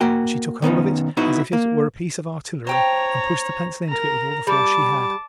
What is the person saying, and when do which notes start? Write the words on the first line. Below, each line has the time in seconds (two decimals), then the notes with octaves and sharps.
But she took hold of it as if it were a piece of artillery and pushed the pencil into it with all the force she had.
0.01 A#3 F#4 G5
0.62 D#3 B3 C#4 D#4
1.17 B3 D#4 E4 F#4
1.53 A#3
2.67 C5 C#5 G5 A5 A#5
3.89 A#4 A#5
4.47 G3 A5 D6